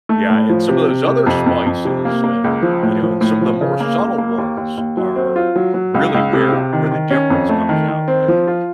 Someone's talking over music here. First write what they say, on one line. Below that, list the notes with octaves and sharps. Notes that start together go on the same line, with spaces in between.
Yeah, and some of those other spices, uh, you know, some of the more subtle ones are really where where the difference comes out, right?
A3
A2
F3
C3
C3
C3
F2
F2
F2
C3
A#3
A#3
C#2
F3
A2
F3
A2
F3
C#3
A#3
C#2
A#3
D#2
D#2
D#2
F#3
C4
F4
F#3
F#3
C#2
C#2
C3
C3
D#3
D#3
C#4
F2
A3
D#3
D#3
C4
F3
F4